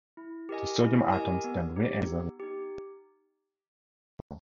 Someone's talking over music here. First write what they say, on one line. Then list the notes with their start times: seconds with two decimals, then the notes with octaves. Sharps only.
The sodium atoms then re-emit the laser light, producing a glowing artificial star.
0.17 E4
0.49 G4 A#4 D#5 G#5
0.80 E4
1.12 G4 A#4 D#5 G#5
1.44 B3
1.76 D#4 G4
2.08 B3
2.40 D#4 G4